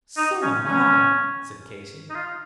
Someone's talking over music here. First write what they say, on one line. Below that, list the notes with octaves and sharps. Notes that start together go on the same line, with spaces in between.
"So am I," said Katy.
D#4
C#4
C#4
D#4
F4